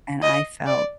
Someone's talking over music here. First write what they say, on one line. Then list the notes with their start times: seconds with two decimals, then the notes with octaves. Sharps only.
and I felt
0.22 D#5
0.66 D5